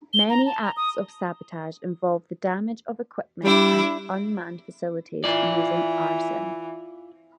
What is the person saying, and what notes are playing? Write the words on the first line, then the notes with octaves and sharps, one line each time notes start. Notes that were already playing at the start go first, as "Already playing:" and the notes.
Many acts of sabotage involve the damage of equipment and unmanned facilities using arson.
G7
A#5
A5
A#5
D#6
G3 D4 E4
E3 F4 D5